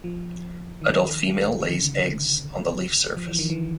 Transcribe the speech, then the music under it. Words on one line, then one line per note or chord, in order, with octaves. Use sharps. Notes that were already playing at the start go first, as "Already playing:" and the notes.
Adult female lays eggs on the leaf surface.
F3
D#3
D#3
D3
C#3
D3
F3
E3
D#3
E3